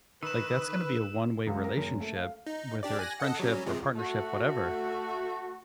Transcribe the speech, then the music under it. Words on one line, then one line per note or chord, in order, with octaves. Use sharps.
like, that's gonna be a one-way relationship, whether it's friendship or partnership, whatever,
D#3 B4 E6 E7
C#2
A#4
F#1
A3
F5
D#4
D4 G4 D5
G#5 F#6 A#6
A4 D#5 F#5
F#3 G3 C#4
C3 F3 G#3
A3 F#4